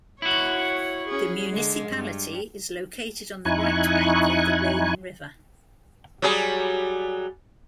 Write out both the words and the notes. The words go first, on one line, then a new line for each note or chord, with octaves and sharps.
The municipality is located on the right bank of the Rhone river.
E4 F#4 C#5
C#4 G#4
D3 G#3
G2
F2 D#4 E4 G#5 C#6 F#6
F#3 G3 G#4